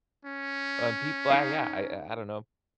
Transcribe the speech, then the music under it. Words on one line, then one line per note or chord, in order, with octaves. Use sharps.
and people uh, yeah, I I I don't know.
C#4
D#4 F5